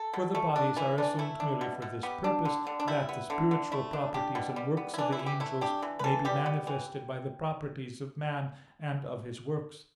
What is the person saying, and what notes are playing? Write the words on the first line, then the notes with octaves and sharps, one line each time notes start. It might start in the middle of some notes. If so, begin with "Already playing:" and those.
For the bodies are assumed merely for this purpose, that the spiritual properties and works of the angels may be manifested by the properties of man and of his works.
Already playing: A4
B2
A3
D4
E3 E4
E3 D4
A3 E4
D4
B2
B2
B3 G4
D4
D3
D3
D4
G3 E4
B3
D3
D3
A3 E4
D4
D4 G4
B2
G3
B3
E4
E3 D4
E4
E3
G4
A3 E4
D4 G4
E3
B4
E3 A4
G3 G4
B3
E3